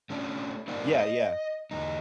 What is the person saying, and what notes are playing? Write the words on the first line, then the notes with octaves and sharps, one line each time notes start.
Yeah, yeah.
A3 C#4 D4
A#3 D#4 A#4 C5 D5 F#5
D#5
E2 D#4